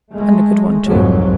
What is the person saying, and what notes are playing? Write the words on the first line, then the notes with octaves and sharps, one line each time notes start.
"And a good one, too."
G#3 A3
C2 F2 G#2 F#3